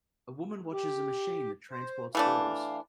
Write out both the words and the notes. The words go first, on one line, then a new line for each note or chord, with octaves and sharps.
A woman watches a machine that transports balls.
G4
C5
E3 A3 D4 F5